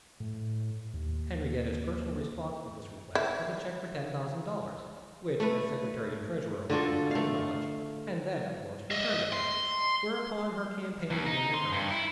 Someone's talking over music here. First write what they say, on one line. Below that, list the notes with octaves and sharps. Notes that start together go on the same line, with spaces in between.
Henriette's personal response to this request was a check for ten thousand dollars, which as secretary and treasurer of the fund I acknowledged, and then, of course, returned to her, whereupon her campaign began in earnest.
A2
D#2
E4
A3 B4
D3 F4 F#4 A4
A3 F5
D#5 E5
C6
D#2
D#4
C6
G2
E4